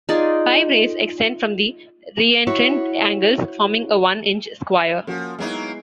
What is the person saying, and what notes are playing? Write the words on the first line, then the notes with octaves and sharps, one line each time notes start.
Five rays extend from the reentrant angles, forming a one-inch square.
D#4 F4 G#4 D5
E4 F#4 C#5
F3 A#3 C#4 F#4
F#3 G#3 A#3 B3 D#4 E4